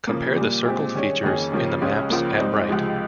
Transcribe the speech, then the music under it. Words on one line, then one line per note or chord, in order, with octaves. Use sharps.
Compare the circled features in the maps at right.
C#3 F3 A#3
A#2 G3 A#3
A#2 G#3 C4 G4
D#3 G3 C#4 G#4 C#5
F2 D#3 A#3 C#4 G#4
C#3 F3 A#3 C#4 G4
C#2 C#3 G#3 C#4 G4
C#2 C#3 F3 A#3
G#2 G3 C4 D#4
C#2 C3 F3 G#3